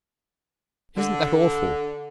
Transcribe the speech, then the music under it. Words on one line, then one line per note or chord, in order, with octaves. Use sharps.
Isn't that awful!
D3